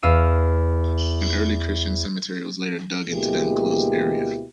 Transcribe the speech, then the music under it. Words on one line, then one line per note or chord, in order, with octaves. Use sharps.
An early Christian cemetery was later dug into the enclosed area.
E2 F5 E6 D#7
D2 B2 G#3 A#3 E4 G4